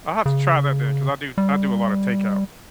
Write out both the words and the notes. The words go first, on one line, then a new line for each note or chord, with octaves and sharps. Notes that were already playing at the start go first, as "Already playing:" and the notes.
I'll have to try that then 'cause I do I do a lotta takeout.
C#3
G3